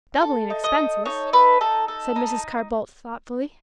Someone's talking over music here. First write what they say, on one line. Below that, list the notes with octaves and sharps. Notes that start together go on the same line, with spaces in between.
"Doubling expenses," said Mrs. Carr-Boldt, thoughtfully.
A4
D#4
D#5
A4
D#4 C#5
A4 B4
D#4 A4
A4
D#4